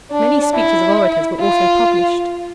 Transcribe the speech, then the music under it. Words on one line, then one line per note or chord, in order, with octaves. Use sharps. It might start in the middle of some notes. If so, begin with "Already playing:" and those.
Many speeches of orators were also published.
D4
E4
F4